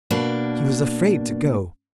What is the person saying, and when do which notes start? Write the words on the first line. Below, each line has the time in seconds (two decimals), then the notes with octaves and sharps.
He was afraid to go.
0.11 B2 A#3 D4